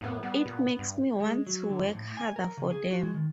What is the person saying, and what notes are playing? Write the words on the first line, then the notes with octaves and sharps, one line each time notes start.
It makes me want to work harder for them.
F2 A2 A#3 B3
G3 B3
A#2
G2
G#3
F#3
D3
F2
A2
G#5
A#4
C#3
G#4
F#4
G#3
D#3